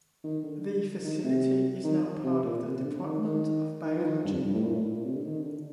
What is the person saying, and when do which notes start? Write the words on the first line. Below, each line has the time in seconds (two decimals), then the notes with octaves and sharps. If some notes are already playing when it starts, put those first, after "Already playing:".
The facility is now part of the department of biology.
0.24 D#3
0.43 D3
1.03 D#3
1.24 C3
1.84 D#3
2.24 C3
2.44 A#2
2.63 C3
2.76 C3
2.84 D3
3.04 D#3
3.24 D#3
3.84 D#3
3.97 F3
4.04 D#3
4.25 G2
4.34 F2
4.44 G2
4.54 A2
4.64 A#2
4.74 A2
4.85 A2
4.95 A#2
5.04 C3
5.15 D3
5.25 D#3
5.45 D3